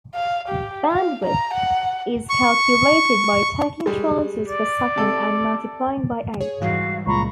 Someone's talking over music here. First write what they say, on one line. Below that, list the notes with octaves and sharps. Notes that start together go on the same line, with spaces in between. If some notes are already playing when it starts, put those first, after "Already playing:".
Bandwidth is calculated by taking transfers per second and multiplying by eight.
F5
G4
F5
A#5
F#5
C#6
G3 G#3
D5
C3 A4
G#4 C#5
G#2 E3 G3 F#4 F5
C#2 A#2 A#5 B5 C#6